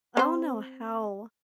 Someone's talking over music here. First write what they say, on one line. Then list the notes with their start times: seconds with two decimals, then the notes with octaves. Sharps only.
I don't know how
0.17 C4 C5